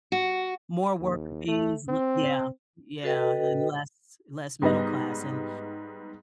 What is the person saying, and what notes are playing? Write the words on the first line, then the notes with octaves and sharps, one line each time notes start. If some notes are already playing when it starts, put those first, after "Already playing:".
More worker bees, le yeah, yeah, and less less middle class, and
F#4
D#2
A3
C4
F#4 A4 B4 D#5 G5
G#2 G3 B3 D#5